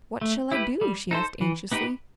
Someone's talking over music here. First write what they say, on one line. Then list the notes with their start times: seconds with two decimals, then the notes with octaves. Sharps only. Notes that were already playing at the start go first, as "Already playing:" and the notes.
"What shall I do?" she asked anxiously.
0.21 A3
0.52 E4 G4 B4
0.81 G3
1.11 D#4 A4 C5
1.41 E3
1.72 B3 D#4 G4 B4